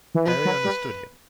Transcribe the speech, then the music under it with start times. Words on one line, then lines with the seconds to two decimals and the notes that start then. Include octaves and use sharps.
Harry understood him.
0.15 E3
0.26 F3 B4
0.45 F#3
0.65 G3